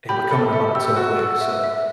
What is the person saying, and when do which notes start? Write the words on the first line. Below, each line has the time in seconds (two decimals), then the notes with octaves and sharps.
and we're coming up on it so quick, so,
0.09 G4 B5
0.31 A4 B5
0.53 A4 E5
0.75 G4 E6
0.96 F#4 E6
1.19 E6
1.41 E5
1.64 E5